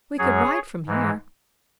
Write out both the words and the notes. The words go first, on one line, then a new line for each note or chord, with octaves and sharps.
"We could ride from here."
F#2 F#3 G#4 C#5
G#2 E3 G#3